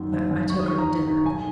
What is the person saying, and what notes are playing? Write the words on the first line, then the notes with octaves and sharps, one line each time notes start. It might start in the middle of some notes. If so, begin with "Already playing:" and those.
I took her to dinner.
Already playing: F#2 D#3
F#1
F#2 D#3
D#2 C#6
D#6
D#3 C#6
A#5
D#2
D#3
B1 G#5